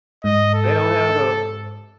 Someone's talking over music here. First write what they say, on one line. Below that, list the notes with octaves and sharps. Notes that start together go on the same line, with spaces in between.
They don't have a
G#2 D#5
A4